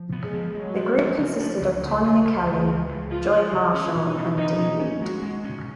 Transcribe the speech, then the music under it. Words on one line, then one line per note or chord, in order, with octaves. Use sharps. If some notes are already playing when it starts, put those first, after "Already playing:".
The group consisted of Tonya Kelly, Joi Marshall, and Di Reed.
Already playing: F3
B3
G#3
F3
F#3 G#3
F3
F3
C#3
F3
C#2
C#2
C#2
C#2
C#2 G#3
C#3
C#2
F3 F4
F3
C#3
C#4 F4
B2
D#4
B2
B2 D#4
C#4
C#4
G#3 F#4
G#3
C#4